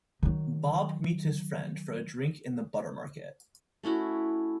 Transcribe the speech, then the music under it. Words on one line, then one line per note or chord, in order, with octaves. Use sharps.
Bob meets his friend for a drink in the Buttermarket.
D#3 F#3
A3 C#4 E4 F#4